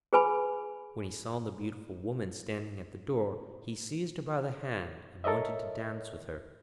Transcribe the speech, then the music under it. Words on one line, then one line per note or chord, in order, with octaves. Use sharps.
When he saw the beautiful Woman standing at the door, he seized her by the hand, and wanted to dance with her.
G#4 B4 G#5 B5
A4 A#4 C#5 D#5 E5